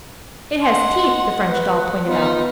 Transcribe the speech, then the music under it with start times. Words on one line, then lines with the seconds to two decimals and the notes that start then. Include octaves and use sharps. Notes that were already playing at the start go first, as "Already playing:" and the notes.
"It has teeth!" the French doll pointed out.
0.62 D#5 F#5 C6
1.47 F#4 B4
2.06 B3 D#4 F4